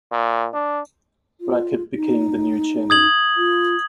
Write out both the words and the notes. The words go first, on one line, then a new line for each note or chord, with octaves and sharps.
Rakib became the new chairman.
A#2
D4
F4
D#4
D#6 G#6 F#7
F4